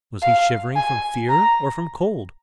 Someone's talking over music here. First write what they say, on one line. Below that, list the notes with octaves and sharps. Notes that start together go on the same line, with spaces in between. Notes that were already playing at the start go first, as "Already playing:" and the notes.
Was he shivering from fear or from cold?
F5
G#5
A#5